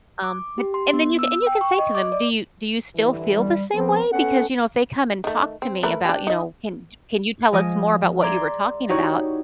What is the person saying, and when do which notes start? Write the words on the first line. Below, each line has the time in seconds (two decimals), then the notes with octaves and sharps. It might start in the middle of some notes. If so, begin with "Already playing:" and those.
Um, but and then you and you say to them, "Do you do you still feel the same way? Because you know, if they come and talk to me about" you know, "'Can y can you tell us more about what you were talking about?'
0.24 D6
0.58 G4
0.74 C6
0.93 B3
1.19 E6
1.47 G5
1.61 C#6
1.79 D#5
1.95 D6
2.12 D5
2.96 G2 D3 E3
3.35 G3
3.74 F3 B3 C4
4.12 B3 C#4 A4 F#5
5.24 D#3 A3
5.62 C4
5.83 A3 A#4 B4
6.05 D4 G4
6.27 D#4 D#5
7.52 F3 G#3 D#5 D#6
8.22 D5 E5 A#5 C6 D6 G#6
8.89 D#4 E4 F#4 G4 C#5 C#6